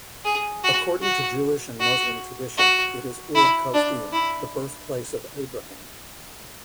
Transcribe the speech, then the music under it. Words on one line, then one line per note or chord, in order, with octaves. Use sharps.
According to Jewish and Muslim tradition, it is Ur Kasdim, the birthplace of Abraham.
G#4
F#4
F#4
F#4
F#4
E4
D4
E4